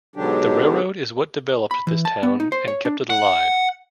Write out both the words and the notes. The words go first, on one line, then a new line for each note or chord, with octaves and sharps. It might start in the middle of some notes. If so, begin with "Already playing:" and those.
The railroad is what developed this town and kept it alive.
G#2 B2 D3 F#3 D4 G4
B5
E3
A5
B3
D#4
C5
C#5
D4
F#5